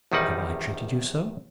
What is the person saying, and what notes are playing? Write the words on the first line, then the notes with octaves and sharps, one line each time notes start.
"Have I treated you so?"
A#1 E2 D#3 G3 D#4 F#5